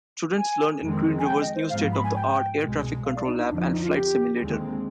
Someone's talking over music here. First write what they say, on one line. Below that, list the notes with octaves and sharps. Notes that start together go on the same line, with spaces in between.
Students learn in Green River's new state-of-the-art air traffic control lab and flight simulator.
G#5
F2 D#3 G#3 C4
G#5
G5
D#5
C5
G#2 F3 B3 F5
B5
G#5
G5
C2 B2 G#3
F5
D5
D#4
D#4
F2 D3 F3 D4
D#4
D#4
F4
G4
D#2 D3 G#3 C4